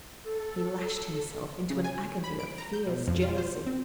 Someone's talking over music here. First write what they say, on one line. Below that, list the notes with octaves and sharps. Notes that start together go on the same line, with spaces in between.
He lashed himself into an agony of fierce jealousy.
A4
C#3
G#5
B5
D7
A#5
G6
B2
F2
F4
C5
C4